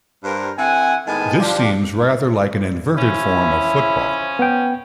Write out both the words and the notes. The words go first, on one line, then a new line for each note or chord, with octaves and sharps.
This seems rather like an "inverted" form of football.
G2 A#4 C5
D3 C4 E4 F#5 G#5
A2 D#3 G#3 B3 G#5 A5
F3 D4 G4
F3 C#4 E4
B3 G5